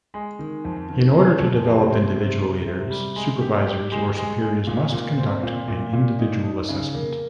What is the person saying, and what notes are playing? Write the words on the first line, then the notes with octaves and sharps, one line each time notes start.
In order to develop individual leaders, supervisors or superiors must conduct an individual assessment.
G#3
D#3
F2
D#3
G#3
F2
C3
C4
C3
C3
C3
G3
G#3
G4
G4
G#3
G#3
G#3
A#2
A#2
C4
A#2
A#2
A#2
D#4
D#4
C#3
A#3